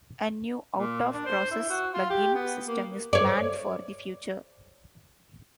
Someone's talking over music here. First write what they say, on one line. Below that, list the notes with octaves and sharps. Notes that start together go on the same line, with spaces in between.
A new, out-of-process plugin system is planned for the future.
A#2
D4
C5
E4
F#4
F4
G4
B3
A#3
C#5 D5